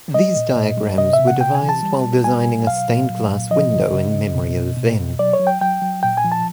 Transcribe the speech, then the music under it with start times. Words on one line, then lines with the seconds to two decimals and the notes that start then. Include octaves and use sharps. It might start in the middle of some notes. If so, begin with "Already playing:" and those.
These diagrams were devised while designing a stained-glass window in memory of Venn.
0.14 G3 D#5
0.36 A#2
0.56 A#2
0.77 G3
0.98 C3 D#5
1.13 E5
1.19 C3
1.27 F#5
1.40 C3 G5
1.55 G#5
1.62 E3
1.69 A5
1.83 G3
2.04 B2
2.24 G3 G#5
2.46 B2
2.67 F#3 F5
2.89 A#2
3.10 F#3
3.31 A#2
3.51 F3 D#5
3.71 C#3
3.93 C#3
4.14 C#3
4.35 B2
4.56 B2
4.77 B2
4.98 B2
5.19 F#3 D5
5.33 C#5
5.40 F#3
5.47 G5
5.61 F#3 G5
5.82 F#3
6.03 A#2 G5
6.17 G#5
6.24 F3
6.32 A5